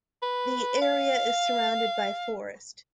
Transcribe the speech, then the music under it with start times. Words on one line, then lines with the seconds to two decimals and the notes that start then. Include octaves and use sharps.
The area is surrounded by a forest.
0.22 B4
0.82 F5